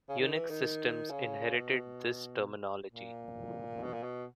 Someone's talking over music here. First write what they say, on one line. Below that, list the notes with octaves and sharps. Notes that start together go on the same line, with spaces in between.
Unix systems inherited this terminology.
C#3
D#3
E3
D#3
C#3
B2
A#2
B2
A#2
B2